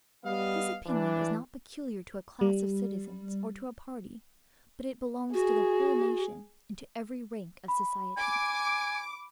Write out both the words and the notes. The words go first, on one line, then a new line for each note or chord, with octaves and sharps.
This opinion is not peculiar to a class of citizens or to a party, but it belongs to the whole nation, and to every rank of society.
G3 B3 D#5 F5
E3 D4
G3
F#4 G#4
B5
G#5 D6